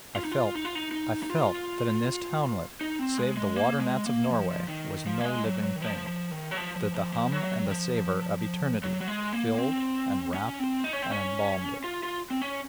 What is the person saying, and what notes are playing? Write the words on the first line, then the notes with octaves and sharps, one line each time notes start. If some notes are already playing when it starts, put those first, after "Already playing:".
I felt, I felt, that in this townlet, save the water-gnats of Norway, was no living thing; that the hum and the savour of Eternity filled, and wrapped, and embalmed it.
F4
D#4
F4
D#4
F4
D#4
D#4
D#4
F4
D#4
C4
G#3
G#3
A#3
G#3
A#3
F3
D#3
F3
A#3
G#3
F#3
F#3
D#3
F3
F3
D#3
F#3
F3
F3
F3
F3
F#3
D#3
F3
F#3
F#3
G#3
A#3
C4
C#4
C4
D#4
C#4
C4
C#4
F4
F4
C4
C#4